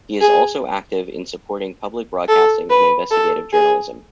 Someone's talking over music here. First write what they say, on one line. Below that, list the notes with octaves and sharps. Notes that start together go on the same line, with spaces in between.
He is also active in supporting public broadcasting and investigative journalism.
G#4
A4
B4
A4
G#4